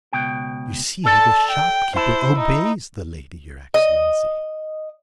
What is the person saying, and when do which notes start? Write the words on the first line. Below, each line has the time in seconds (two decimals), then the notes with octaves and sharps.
"You see, the shopkeeper obeys the lady, your Excellency."
0.13 C#2 B2 G5
1.06 A4 D5 A5
1.51 G5
1.96 E4 C5 A5
2.39 D#4
3.74 D#5